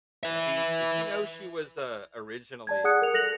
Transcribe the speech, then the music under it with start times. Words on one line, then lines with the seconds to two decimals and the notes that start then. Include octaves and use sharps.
The did you know she was, uh, originally
0.23 B4 E5
2.67 D5 A5 G#6
2.84 G#4 F#5 D#6 F#6 C#7
3.02 A#4 F7
3.14 A4 F#6 A#6 F7 F#7